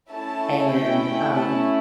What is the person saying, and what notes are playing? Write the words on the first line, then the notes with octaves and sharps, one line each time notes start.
and, um,
A3 C#4 E4 A5
G5
A5